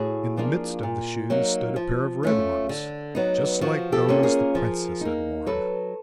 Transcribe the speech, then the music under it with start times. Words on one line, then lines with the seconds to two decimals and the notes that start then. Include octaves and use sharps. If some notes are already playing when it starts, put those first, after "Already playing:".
In the midst of the shoes stood a pair of red ones, just like those the princess had worn.
Already playing: A2 F#4 G#4
0.37 F3 A#3 D4 F4
0.83 A#2
1.30 F#3 A#3 D#4
1.76 F3
2.23 A3 C#4 F4
2.69 D3
3.15 F#3 B3 D#4
3.61 F3 F#4
3.92 G4 A4
4.09 A#3 C#4 F4
4.23 G#4 A#4
4.55 F3
5.01 A#3 D#4
5.46 F#3 A4 B4